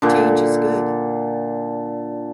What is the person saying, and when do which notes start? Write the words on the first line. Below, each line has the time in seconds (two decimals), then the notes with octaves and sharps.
Change is good.
0.02 A#2 D3